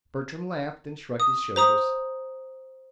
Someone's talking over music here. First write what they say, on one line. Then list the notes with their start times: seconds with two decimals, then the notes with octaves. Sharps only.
Bertram laughed and shrugged his shoulders.
1.20 D#6
1.56 C5 A#5 D#6